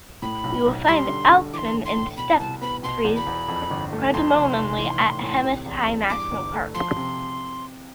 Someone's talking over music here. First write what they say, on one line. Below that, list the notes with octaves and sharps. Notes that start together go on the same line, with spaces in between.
You will find alpine and steppe trees predominantly at Hemis High National Park.
A2 B5
B1
B1
G3 C6
D3
D3
E3 C6 D6
A2
C6
A2
B2 B5
C2 A5
B3 B5
B2 C6
E2
B5
E2
F2
G1
A3
F2 C6
F1
F1
E3
A2
A2
C3
E2
E2
G2 D6
G1
A3
F3 C6
C3